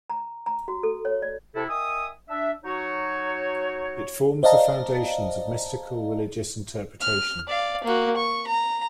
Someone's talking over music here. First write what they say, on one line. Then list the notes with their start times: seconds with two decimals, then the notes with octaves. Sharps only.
It forms the foundations of mystical religious interpretation.
0.10 A#5
0.46 A#5
0.68 F#4
0.83 A4
1.05 C#5
1.22 D5
1.54 C3 E4 A4
1.68 D#3 E5 G#5 D#6
2.28 D4 E5
2.64 F#3 D#4 F#4 C#5
4.43 C5 D5 D#5 F5 A5 A#5
7.01 F6
7.48 D5 F5
7.84 A#3 F#4
8.17 C#6
8.47 A#5